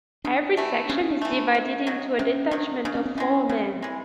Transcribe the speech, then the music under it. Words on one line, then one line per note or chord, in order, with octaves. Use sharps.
Every section is divided into a detachment of four men.
C#3 D4
E3 A3
C#3 C#4
C#4
D4
E3 A3
D4
C3
D#3 F#3
C3 C#4
D#3 F#3 D4
C#3 D4
C#4
C4
E3 G#3 C#4
C#3 C4
E3 G#3